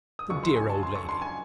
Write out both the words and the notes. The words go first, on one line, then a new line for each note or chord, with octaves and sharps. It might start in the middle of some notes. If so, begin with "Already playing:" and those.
The dear old lady!
D#6
C#2 C#3 F#3 C#6
C6
G#5
A5
C6
C#6
C6
G#5